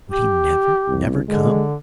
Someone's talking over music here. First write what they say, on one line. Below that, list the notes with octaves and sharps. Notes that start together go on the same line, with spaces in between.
Would he never, never come?
G4
C2
D3 G#3